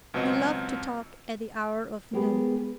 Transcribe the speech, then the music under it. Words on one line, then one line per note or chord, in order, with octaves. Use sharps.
He loved to talk at the hour of noon.
C#2 B2 F#3 C4 D#5
G#3 B3 G4 G#4 A#4